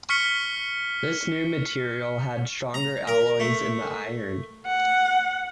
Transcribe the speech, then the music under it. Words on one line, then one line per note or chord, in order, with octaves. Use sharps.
This new material had stronger alloys in the iron.
C#6 F6 B6 C#7 G7
A#5
A#4
A3
F#5